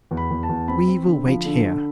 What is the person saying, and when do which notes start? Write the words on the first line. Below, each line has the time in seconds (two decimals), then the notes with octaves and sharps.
"We will wait here."
0.11 E2
0.17 B5
0.31 E2
0.43 A5
0.49 E2
0.68 C4 B5
0.88 C4
1.07 D3
1.26 F3
1.45 D3
1.64 D3